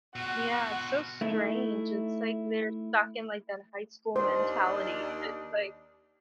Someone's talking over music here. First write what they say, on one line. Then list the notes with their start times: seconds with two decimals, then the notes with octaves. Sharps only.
Yeah, it's so strange. It's like they're stuck in, like, that high school mentality. It's like,
0.16 B2 F4 F#4 F#5
1.21 A3 D#4 E4
4.16 D#2 D4 C5 D#5